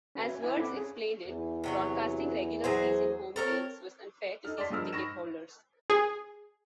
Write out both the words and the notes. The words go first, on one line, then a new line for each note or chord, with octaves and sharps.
As Wirtz explained it, broadcasting regular-season home games was unfair to season-ticket holders.
C#4 F#4 B4 E5 G#5
C#4 E4 G#5
C4 A4 F#5 B5 D6
C#4 G#4
E2
C3 F#3 C#5
F#3 G#4 C5
C4 A4 A#4 C#5
D#4 A4 F6
D5 A5 C6 B6
G2 F3 G#3 A#4 E6 F6
G#2 B5 C#6 A#6 E7
G#4